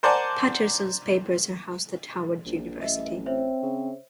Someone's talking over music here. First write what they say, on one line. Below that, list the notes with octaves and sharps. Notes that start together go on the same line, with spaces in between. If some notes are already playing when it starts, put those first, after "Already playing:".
Patterson's papers are housed at Howard University.
A#4 C5 D5 F#5 G#5 A5
A#1
A1 D#5 E5
C4 C5 C#5 E5
C#3